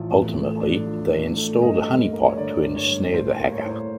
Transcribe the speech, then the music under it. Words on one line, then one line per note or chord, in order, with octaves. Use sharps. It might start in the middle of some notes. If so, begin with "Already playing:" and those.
Ultimately, they installed a honeypot to ensnare the hacker.
Already playing: A1 F3
A2
A3
D4
F3
A2
A3
G2 D#5
G3
A#3
C#5
D3 D5
G2
C#5
G3
A2 C5
A#3
C#5
A2 C5
C#5